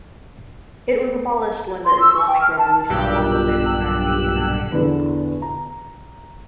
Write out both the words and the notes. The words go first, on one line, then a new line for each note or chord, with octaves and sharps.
It was abolished when the Islamic Revolution toppled the monarchy in Iran.
C6
E6
C#6
G5
F6
A5
B1 G2 A#2 G4 E6 F#6
E2 D3 B3
A#5